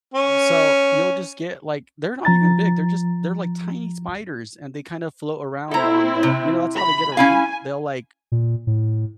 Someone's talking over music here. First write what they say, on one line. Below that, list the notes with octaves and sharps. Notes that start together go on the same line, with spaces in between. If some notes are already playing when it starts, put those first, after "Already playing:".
Uh, so you'll just get, like they're not even big, they're just they're, like, tiny spiders and they kinda float around on the, you know, that's how they get around, they'll, like
C#4
F3 A#5 A6
C4 E4 A4 A#5
C3
B5
C#4 E4 F5 G#5
A#2
A2